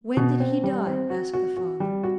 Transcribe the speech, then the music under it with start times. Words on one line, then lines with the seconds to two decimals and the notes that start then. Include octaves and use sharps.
"When did he die?" asked the father.
0.17 B2
0.40 C4
0.63 G3
0.87 C4
1.10 F#4
1.34 F#4
1.57 F#4
1.80 G3
2.04 F#4